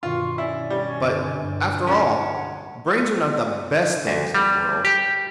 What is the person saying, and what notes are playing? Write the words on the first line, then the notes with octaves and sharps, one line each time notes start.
"But, after all, brains are not the best things in the world."
G2 B2 D#3 F4 C6 C#6
C#4 E4 D5
G3 E4 G4 D#5
G1 C2 G2
G2 G6
C#4 A#4 F#5 A5
D2
G3
G4